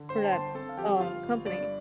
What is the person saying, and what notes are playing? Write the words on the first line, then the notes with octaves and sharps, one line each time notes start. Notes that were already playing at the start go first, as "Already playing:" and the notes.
for that, um, company.
Already playing: D3
G1 C5 C6
G5
A5
G1 C5 C6
C4 A4 A5
F5
F3 G4 G5
G1 F4 F5
G1
G2 D5